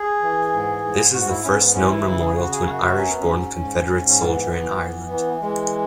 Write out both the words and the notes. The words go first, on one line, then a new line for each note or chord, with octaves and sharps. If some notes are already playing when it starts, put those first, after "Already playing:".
This is the first known memorial to an Irish-born Confederate soldier in Ireland.
Already playing: G#4
E3
G#2
G#2
G#2 F#4
E4
G#2 C#4
B3
E3 C#4
E4
C#3 E4
G#4
C#3 F#4
G#4
F#2 F#4
F#4
F#3 C#4
B3
C#4
G#2
G#2
G#2
C#4
E3 B3
E3
E3
E3
E3 G#3